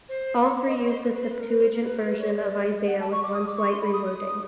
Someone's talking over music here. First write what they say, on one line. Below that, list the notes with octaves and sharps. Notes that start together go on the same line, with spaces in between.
All three use the Septuagint version of Isaiah with one slight rewording.
C5
C#5
D#5
C#5
C5
B4
B4
C5
B4
A#4
B4
C5
A#4
B4
A#4
B4
C#5
D5
F#5
A5
C#6
D6
D#6
D6
C#6
C6
B5
D#6